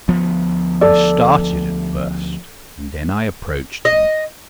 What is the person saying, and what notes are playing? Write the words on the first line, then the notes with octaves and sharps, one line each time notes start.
I started at first, and then I approached him.
D2 F3 B3
A4 D5
D#5